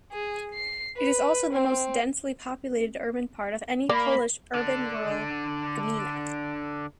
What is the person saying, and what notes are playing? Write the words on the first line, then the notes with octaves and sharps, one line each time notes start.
It is also the most densely populated urban part of any Polish urban-rural "gmina".
G#4
C7
B4
C4
A#3 D5 B5
D3 D4